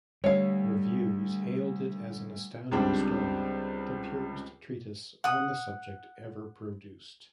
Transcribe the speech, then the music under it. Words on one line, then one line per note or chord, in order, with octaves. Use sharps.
Reviews hailed it as an astounding story...the purest treatise on the subject ever produced.
D2 G3 C#5 F5
C#2 G3 C4 D4 C5 G5
F#5 D#6